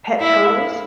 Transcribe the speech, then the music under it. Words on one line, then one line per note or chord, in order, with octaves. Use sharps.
pet turtles
E4 E5
F5